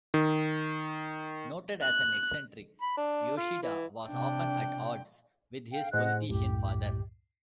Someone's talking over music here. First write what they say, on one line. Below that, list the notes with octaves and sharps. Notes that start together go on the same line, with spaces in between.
Noted as an eccentric, Yoshida was often at odds with his politician father.
D#3
F#6
B5
D4
F4
E3
C3 D4 G5
F5 G5
A2 G#4 C5 D#5 F#5 F#6
C2 F#2 A2 G4